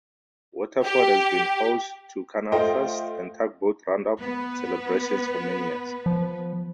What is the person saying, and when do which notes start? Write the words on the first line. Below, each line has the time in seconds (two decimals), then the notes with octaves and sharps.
Waterford has been host to "Canal Fest" and "Tugboat Roundup" celebrations for many years.
0.83 G4
2.52 A3 F4 C5 D#5 G5
4.19 B3 B4
6.06 F3